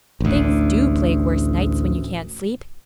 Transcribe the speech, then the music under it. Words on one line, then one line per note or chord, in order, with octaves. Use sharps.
Things DO plague worse nights, when you can't sleep.
A1 D2